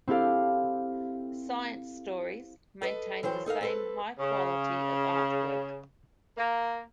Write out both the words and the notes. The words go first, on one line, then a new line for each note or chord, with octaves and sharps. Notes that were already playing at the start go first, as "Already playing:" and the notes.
"Science Stories" maintained the same high quality of artwork.
C4 E4 G4 A4 F5
A4 B4 D5 D#5
E3 F#3 C5 G5
D#4 A4 A#4 F5
C4 A4 B4
C#3
A#3